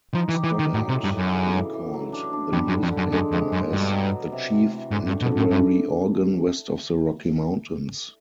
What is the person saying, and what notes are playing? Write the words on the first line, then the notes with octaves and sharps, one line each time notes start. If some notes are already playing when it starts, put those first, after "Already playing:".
Stoddard recalled the newspaper as "the chief literary organ west of the Rocky Mountains".
F3 D#4
E3
G4
E3
D#4
D#3
A2 F#3
C3
A2
G2
F#2 A2
C#3
E3
E3
F#3
D4
D4
F2 G3
F#2
D3
F2
F#2 D3
F#2 G#3
F2 G#3
F#2 G#3
G2 B2
F#3
B2
C3
C3
E3
G#2 D3
G2
A3
B2
D3
A2
G2 E3